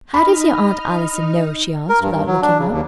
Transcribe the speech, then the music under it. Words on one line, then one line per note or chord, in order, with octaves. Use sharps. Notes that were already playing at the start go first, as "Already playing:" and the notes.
"How does your Aunt Allison know?" she asked, without looking up.
D#4 D#5 B5 F6
A#4
G2
G2
F#3
D4
C#3
D#2